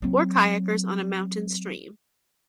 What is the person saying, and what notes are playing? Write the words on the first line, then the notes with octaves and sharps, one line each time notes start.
Four kayakers on a moutain stream.
F#3 C4